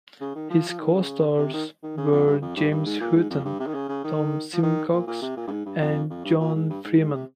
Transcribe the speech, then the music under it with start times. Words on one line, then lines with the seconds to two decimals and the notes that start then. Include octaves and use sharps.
His co-stars were James Houghton, Tom Simcox, and Joan Freeman.
0.20 C#3
0.35 D#3
0.50 F3
0.69 F3
0.79 D#3
0.94 C#3
1.38 C3
1.54 D#3
1.83 D#3
1.97 C#3
2.12 F2
2.27 G2
2.42 F2
2.56 G2
2.71 G2
2.86 G#2
3.01 A#2
3.15 G#2
3.30 F2
3.45 G2
3.60 C3
3.67 D#3
3.75 C#3
3.89 C#3
4.04 D#3
4.53 F3
4.63 D#3
4.92 A#2
5.07 A#2
5.22 C3
5.37 A#2
5.47 G2
5.51 G#2
5.66 G2
5.81 F2
6.10 F2
6.25 G2
6.40 A#2
6.55 G#2
6.70 G2
6.85 G#2
6.99 G#2
7.14 C3